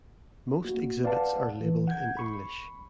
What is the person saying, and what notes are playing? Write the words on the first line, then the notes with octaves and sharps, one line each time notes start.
Most exhibits are labelled in English.
A#3 F#4
B4 D5 F5 F#5 A5
E3
F#5 G6 G#6
B5 C#6